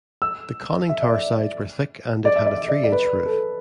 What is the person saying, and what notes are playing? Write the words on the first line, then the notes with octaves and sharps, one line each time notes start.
The conning tower sides were thick and it had a three-inch roof.
E6
E5
D5
E5
D5
E5
D5
E5
D5
D5
B4
A4